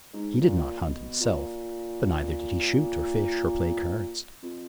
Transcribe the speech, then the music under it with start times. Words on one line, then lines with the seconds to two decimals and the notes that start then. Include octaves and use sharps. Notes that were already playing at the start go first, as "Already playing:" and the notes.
He did not hunt himself,--but neither did he shoot, or fish, or play cards.
0.13 G#2
0.41 A#2
0.80 B2
1.21 A#2
4.42 F2